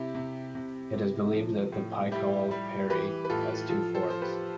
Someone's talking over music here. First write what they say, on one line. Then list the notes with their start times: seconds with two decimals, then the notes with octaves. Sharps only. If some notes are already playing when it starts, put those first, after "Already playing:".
It is believed that the Pichal Peri has two forms.
Already playing: C3 E4 G4
0.15 C3
0.55 C3
0.93 C3
1.33 F3
1.72 A2
2.11 G3 E4 G4
2.51 G3
2.90 E3 G4 B4
3.25 B4
3.30 A2 F4 A4
3.69 F3 F4 A4
3.95 A4 C5
4.08 F3 C5
4.21 G4 B4